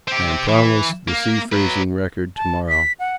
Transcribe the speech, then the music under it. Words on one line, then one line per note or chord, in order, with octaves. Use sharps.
I am promised the sea-freezing record to-morrow.
C4 G4
E3
A#3
F#3 B4
A5
B6
F#5